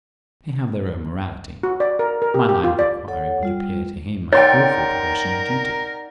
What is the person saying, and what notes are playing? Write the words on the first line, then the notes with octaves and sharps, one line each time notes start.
They have their own morality. My line of inquiry would appear to him an awful perversion of duty.
F#4
D5
A#4
A#4
G4
G4
F4
D5
A4 C#5 F#5
G3 F4
D#4 A#4 C#5 D5 F#5 G5 C6 A6